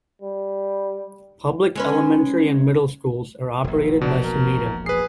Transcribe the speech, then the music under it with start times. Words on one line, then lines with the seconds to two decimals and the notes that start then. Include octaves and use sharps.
Public elementary and middle schools are operated by Sumida.
0.22 G3
1.75 G#3 C#4 B4
3.64 E1 A#1
4.01 B2 D4
4.23 A#4
4.86 G#4 B4 C7